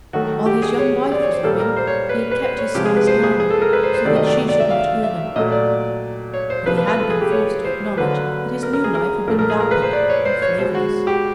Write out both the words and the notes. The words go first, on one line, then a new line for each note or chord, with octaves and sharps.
While his young wife was living he had kept his sighs down, so that she should not hear them; but he had been forced to acknowledge that his new life had been vapid and flavourless.
D#3 F#3 A3 F#4
G4
G#4
C#5
D5
C#5
C5
A#2 G3 A#3 A4
A#4
C5
C#5
B4
B4
C5
C#5
C3 F3 G#3 G4
G#4
B4
C5
G#4
G#4
A4
A#4
B4
C5
C5
C3 D#3 F#3 A3 D5
D#5
D5
D5
D5
E5
F5
E5
A#2 F#3 A3 D#5
D5
C#5
C5
C3 F3 A#3 B4
B4
B4
A4
G#4
G4
C#5
C5
D3 F#3 A#3 B4
A#4
A#4
G#4
A#4
A#2 F3 A3 A#4
A#4
G#4
A#4
B4
C5
D5
C#5
C5
C#5
B2 G#3 C5
F#4
G4